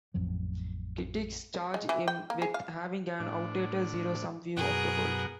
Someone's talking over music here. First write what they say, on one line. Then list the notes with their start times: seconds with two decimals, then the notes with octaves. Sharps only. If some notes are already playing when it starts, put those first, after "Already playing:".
Critics charge him with having an outdated zero-sum view of the world.
0.14 A1 F2 F3 F#3
1.74 G#3
1.89 E3
2.08 G5
2.30 A#3
2.42 G#4
2.54 F5
3.20 A2 D4
4.57 F#2 B2 G#4 A#4 F#5